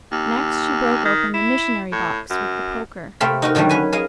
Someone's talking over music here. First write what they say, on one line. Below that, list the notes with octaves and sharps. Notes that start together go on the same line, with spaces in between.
Next she broke open the missionary-box with the poker.
D#2
D#3
E4
A2
F#2
C3 A3 C4 F5 B5
D#4 F#4 A#4
D3 D#3 F#3 G3 A3
C#4 B4 G#5
G#4 A#4 D#5 F5